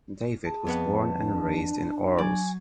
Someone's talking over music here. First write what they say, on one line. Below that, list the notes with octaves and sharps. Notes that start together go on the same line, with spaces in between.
David was born and raised in Arles.
G#4 A5
F2 B3 F#5
D4
F#3 D5 G#5 G#6